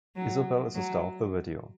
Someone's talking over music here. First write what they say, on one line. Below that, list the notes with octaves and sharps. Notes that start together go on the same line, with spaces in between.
Isabel is the star of the video.
F#3
F#3